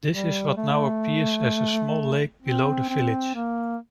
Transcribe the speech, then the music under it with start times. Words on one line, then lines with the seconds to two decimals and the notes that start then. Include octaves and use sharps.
This is what now appears as a small lake below the village.
0.11 G3
0.57 A3
2.42 C4
2.89 C4
3.35 A#3